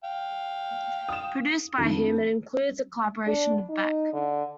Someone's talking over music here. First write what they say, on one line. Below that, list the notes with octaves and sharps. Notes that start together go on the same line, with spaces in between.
Produced by him, it includes a collaboration with Beck.
F5 G5
D#6 E7
F2 D3 D#3
D4
D#4
D3